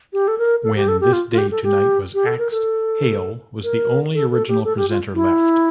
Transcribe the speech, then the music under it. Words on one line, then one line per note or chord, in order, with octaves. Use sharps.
When This Day Tonight was axed, Hale was the only original presenter left.
G4
A4
A#4
A4
G4
A4
G4
F4
F4
G4
A4
G4
G4
A4
A#4
A4
A#4
A4
A4
G4
A4
G4
F4
E4